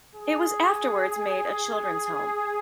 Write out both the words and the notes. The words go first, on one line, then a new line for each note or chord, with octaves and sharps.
It was afterwards made a children's home.
G#4